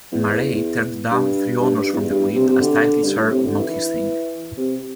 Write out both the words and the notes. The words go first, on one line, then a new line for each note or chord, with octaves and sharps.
Murray turned down three honours from the Queen as titles are "not his thing".
E2
G2
G2
G2
E2
G2
C3
C3
D3
G2
A2
C3
D3
E3
C3